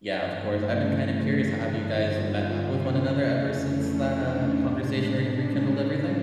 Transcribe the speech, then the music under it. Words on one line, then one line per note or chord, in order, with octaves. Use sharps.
Yeah. Of course. I've been kinda curious. Have you guys met up with one another ever since that, uh, conversation where you rekindled everything?
G2 E3 A3
G2 D3 G3 B3
F4
C#4
F2 C#3 E3 A3
D4
D#4
A2 E3 G#3 D4
C#4
D4